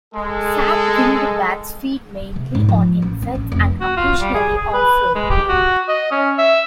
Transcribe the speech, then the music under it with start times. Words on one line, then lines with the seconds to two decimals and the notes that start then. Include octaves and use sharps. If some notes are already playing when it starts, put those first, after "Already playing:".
Sac-winged bats feed mainly on insects, and occasionally on fruit.
0.14 G#3 A4
2.36 C3
2.55 G#2
2.69 F3
3.02 A1
3.22 C4
3.35 A1
3.52 F1
3.81 F#4
3.97 F4
4.21 G3
4.34 G#4
4.58 G#4
4.73 B4
5.15 G#3
5.30 G4
5.49 F#4
5.88 D#5
6.12 C#4
6.38 E5